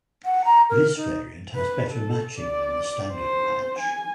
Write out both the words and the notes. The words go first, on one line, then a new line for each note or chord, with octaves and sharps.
This variant has better matching than the standard patch.
F#5
A#5
A#4
D#4
B4
A4
D5
C5
G#5